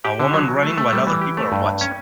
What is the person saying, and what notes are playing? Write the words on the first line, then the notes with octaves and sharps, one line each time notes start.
A woman running while other people are watching.
G4
D3
F#3
F#3
A3
A3
G3
E3
G4
A3
G2
G2
C#4